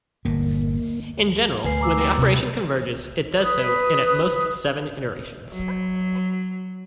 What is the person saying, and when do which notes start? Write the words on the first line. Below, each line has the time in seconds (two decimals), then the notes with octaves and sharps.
In general, when the operation converges it does so in at most seven iterations.
0.25 G1 A#2 A#3
1.65 D2 B4 G#5 C7
1.81 A#5 D6 E6
1.97 A#3 G4
2.18 C2 C4
3.38 B4 D#6
5.51 F#3